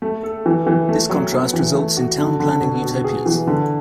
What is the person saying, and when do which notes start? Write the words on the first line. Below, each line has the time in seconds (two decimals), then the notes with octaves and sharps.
This contrast results in town-planning utopias.
0.02 A3
0.23 A4
0.46 E3
0.67 E3
0.89 A3
1.10 F#3
1.32 B3
1.54 E3
1.75 A3
1.97 F#4
2.18 D3
2.40 D3
2.60 B2
2.82 B2
3.04 G#4
3.26 E3
3.47 D3